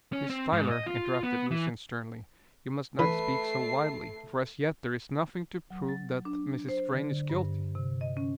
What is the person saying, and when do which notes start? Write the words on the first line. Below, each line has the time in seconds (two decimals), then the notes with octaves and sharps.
"Miss Tyler," interrupted Lucian sternly, "you must not speak so wildly, for as yet there is nothing to prove that Mrs. Vrain is guilty."
0.13 C#4
0.30 C4
0.53 G#2
0.71 D#5
0.86 F4
1.24 B3
1.51 E3
2.99 E3 A3 B4 C7
5.71 F#3
5.89 A6
6.25 D4
6.69 C5
6.93 D3
7.30 G2
7.75 C3
8.01 D#5
8.17 C#4